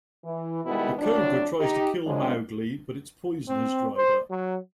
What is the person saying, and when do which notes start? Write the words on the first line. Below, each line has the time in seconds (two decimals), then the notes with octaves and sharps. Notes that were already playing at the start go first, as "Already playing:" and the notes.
The cobra tries to kill Mowgli but its poison has dried up.
0.23 E3
0.65 B2 D#3 G3 G#3 B3 E4
0.99 F2 A2 F#3 D4
1.59 D#4 G4
2.05 F#2 C#3 F3 G#3 D4
3.49 C4
3.97 C5
4.30 F#3